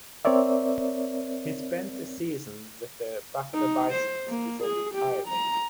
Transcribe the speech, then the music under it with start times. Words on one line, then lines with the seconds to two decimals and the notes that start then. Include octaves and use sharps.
He spent the season with the Buffalo Bisons before retiring.
0.25 C4 A#4 C#5 D5 E5
3.54 D#4
3.93 C5
4.28 A#3
4.63 G#4
4.95 G4
5.28 A#5